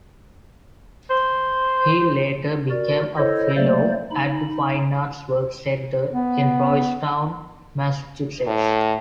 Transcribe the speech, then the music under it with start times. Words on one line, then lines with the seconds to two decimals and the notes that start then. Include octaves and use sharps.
He later became a Fellow at the Fine Arts Work Center in Provincetown, Massachusetts.
1.10 C5
2.70 F#4 A#4 D5
3.17 E4 A4 C5 C#5 D#5
3.56 F#3 A3 A#3 C5 D5
4.11 D#4 B5
6.11 B3
8.46 A2